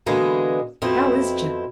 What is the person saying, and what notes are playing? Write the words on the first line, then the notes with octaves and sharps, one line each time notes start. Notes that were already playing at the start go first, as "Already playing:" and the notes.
How is Jim?
B2 D3 E3 G#3 A#3 G#4
F2 B2 C4 E4